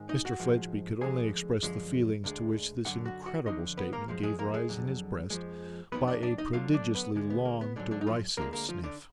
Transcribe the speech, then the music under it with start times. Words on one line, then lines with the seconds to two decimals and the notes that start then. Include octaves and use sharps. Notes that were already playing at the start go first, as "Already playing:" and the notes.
Mr Fledgeby could only express the feelings to which this incredible statement gave rise in his breast, by a prodigiously long derisive sniff.
Already playing: G#2 D#3 G#3
0.09 D#4 D#5
0.25 F#4 F#5
0.40 G#2 F3 G#3
1.01 D2 D3 F3 G#3 G#4 G#5
1.63 F#2 D3 F3 G#3
2.24 D2 D3 G#3
2.85 F#2 D3 F#3 F#4 F#5
3.06 F#4 F#5
3.26 F#4 F#5
3.46 F2 D3 F3 D#4 D#5
3.77 B3 B4
3.93 A#3 A#4
4.08 F#2 F3 G#3
4.23 G#3 G#4
4.39 A#3 A#4
4.54 G#3 G#4
4.69 F2 D3 F#3
5.30 F2 F3 G#3
5.92 F2 D#3 F#3 B3 B4
6.08 D4 D5
6.23 D4 D5
6.38 D#4 D#5
6.53 D2 D3 F#3 F4 F5
6.74 D4 D5
6.95 B3 B4
7.15 D2 D3 G#3
7.30 B3
7.45 A#3
7.61 B3
7.76 G#2 D3 F#3 D4
7.91 D3 D4
8.01 D#4
8.07 F3 F4
8.37 D2 D3 G#3 A#3 A#4
8.53 A#3 A#4
8.69 F3 F4
8.84 D3 D4